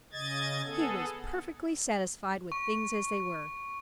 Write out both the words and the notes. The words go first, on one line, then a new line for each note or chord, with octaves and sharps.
He was perfectly satisfied with things as they were.
C#3 D#5 G#6 A6
B3 G#4 A4
C#6